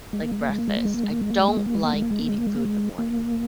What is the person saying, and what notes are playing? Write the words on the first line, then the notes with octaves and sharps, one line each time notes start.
like, breakfast. I don't like eating food in the morning.
G#3
A#3
G#3
A#3
G#3
A#3
G#3
A#3
G#3
A#3
G#3
A#3
G#3
A#3
G#3
A#3
G#3
A#3
G#3
A#3
G#3
A#3
G#3
A#3
G#3
A#3
G#3
A#3
G#3
A#3